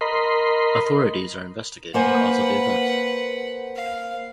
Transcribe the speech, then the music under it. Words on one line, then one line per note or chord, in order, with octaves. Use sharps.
Authorities are investigating the cause of the event.
A#4 D#5 B5 C6
A#3 B4 C5 F#5 G#5
F5